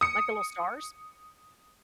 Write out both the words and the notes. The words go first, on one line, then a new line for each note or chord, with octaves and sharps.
Like the little stars?
D#6 C#7